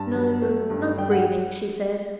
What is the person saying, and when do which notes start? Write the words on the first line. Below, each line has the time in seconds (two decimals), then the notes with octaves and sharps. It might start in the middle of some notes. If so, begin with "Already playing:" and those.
"No, not grieving," she said.
Already playing: G2 A5
0.15 F#3
0.42 A3
0.70 G2
0.98 G3 G5
1.11 F#5